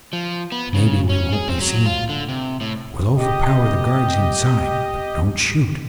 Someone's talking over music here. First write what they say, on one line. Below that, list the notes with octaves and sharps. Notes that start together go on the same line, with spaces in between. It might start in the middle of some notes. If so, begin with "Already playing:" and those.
Maybe we won't be seen. We'll overpower the guard inside, but don't shoot.
F3
B3
C#3
C#4
G#4
C4
F#3
F4
D3
C3
A2
G4 D#5